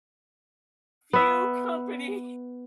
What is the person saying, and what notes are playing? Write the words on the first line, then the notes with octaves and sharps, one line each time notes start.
few company
B3 E5